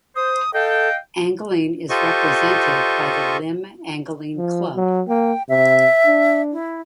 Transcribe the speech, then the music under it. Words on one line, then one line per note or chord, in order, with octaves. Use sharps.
Angling is represented by the Lymm Angling Club.
C5 D#6
A4 D#5 F5 G5
F4 G4 A4 C5 D#5 C#6
F3
F#3
A#3 G5
C3 E5
D4
E4